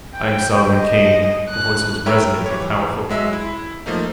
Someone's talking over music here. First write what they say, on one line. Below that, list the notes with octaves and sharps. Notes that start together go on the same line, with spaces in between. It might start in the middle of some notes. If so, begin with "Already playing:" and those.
"I am Solomon Kane." The voice was resonant and powerful.
G5
D#5
F#6
A#4 B4 C#5 E5 G5
E3 G4 C#5
F#3 G#3 E5
E4
F3 A3 A#3 D#4